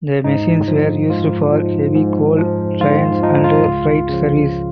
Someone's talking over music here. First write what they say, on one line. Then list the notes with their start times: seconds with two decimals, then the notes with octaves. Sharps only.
The machines were used for heavy coal trains and freight service.
0.24 G#2 D#4
0.68 F3
1.10 G#2 F4
1.53 F3
1.95 G#2
2.38 F3
2.80 G#2 F4
3.23 F3 D#4
3.44 F4
3.66 C#2
4.09 C#3 F3